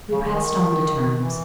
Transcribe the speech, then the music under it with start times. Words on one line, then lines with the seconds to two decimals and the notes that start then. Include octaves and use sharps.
We passed on to terms.
0.12 C#3
0.22 D3
0.33 D#3
1.15 E3